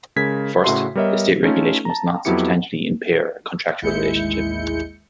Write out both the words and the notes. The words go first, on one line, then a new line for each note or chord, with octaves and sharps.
First, the state regulation must not substantially impair a contractual relationship.
C#3 G#3 A#4 G#6 B6
A2 C#3 F#4 E5 C6
G3 B3 A#4 C#5 D#5 E5
A3 C#4 D#4 F4 A4
A5 A#5
F2 F#3 B3 E4 G4 C#7
A1 D#2 G#3 E4 G6 C#7